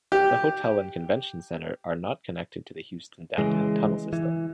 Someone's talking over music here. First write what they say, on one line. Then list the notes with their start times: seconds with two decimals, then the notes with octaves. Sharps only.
The hotel and convention center are not connected to the Houston downtown tunnel system.
0.12 G4
3.38 C#3 E3 G#3
4.13 E3